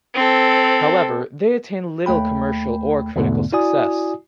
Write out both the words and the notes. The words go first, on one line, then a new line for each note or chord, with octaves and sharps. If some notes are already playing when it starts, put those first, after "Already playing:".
However, they attained little commercial or critical success.
C4 A4
D#2 A3 G5 B5
E2 G#2 B2 D3 A3 B3
E4 F#4 D5 G#5 D#6